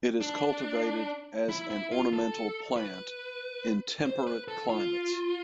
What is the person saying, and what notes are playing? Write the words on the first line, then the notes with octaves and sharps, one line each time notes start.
It is cultivated as an ornamental plant in temperate climates.
D4
E4
E4
F4
A4
B4
C5
B4
A4
F4